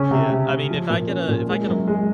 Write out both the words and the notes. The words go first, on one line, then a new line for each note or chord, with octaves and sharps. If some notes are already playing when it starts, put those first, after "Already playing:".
Yeah. I mean, if I get a if I get, uh,
Already playing: C#3 C#4
C3
C3
C3
F3
A#2
C#4
A#2
G#3
F#2
G#3